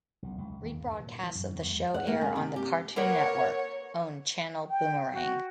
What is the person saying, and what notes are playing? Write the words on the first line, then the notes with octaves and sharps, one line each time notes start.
Rebroadcasts of the show air on the Cartoon Network-owned channel Boomerang.
B1
C#2
D#2
G2
A#2
E3
F#2
E2
G#3
F#5
A#3
C#3
C3
G4
A#3 A#4 B4 C#5 F#5
G5
F#4